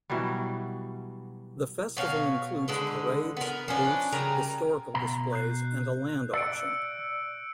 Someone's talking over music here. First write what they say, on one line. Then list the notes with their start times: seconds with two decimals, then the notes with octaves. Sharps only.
The festival includes parades, booths, historical displays, and a land auction.
0.10 B2 E3 F#3 G3
1.97 B2 C#5 F5
2.68 D3 G#3 B4
3.37 B3 A#4
3.68 F3 C#4 D4 B4
4.12 C#3 G3 A#4 A#5
4.95 B2 A#5
5.33 F#6 G6 C7
6.33 D5 E6 C#7 D7